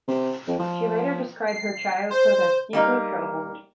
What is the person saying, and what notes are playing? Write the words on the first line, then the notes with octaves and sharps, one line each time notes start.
She later described her childhood as deeply troubled.
C3
F2
F3
C7
C5
G3 A#3 D#4